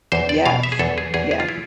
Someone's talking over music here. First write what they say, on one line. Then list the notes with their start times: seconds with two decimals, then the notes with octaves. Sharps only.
Yes, ye
0.12 E2 C5
0.29 D5
0.46 B2 F5
0.63 E5
0.72 G#4
0.79 E2 A4
0.98 G#4
1.14 E2 G#4
1.31 G#4
1.40 F4
1.49 E4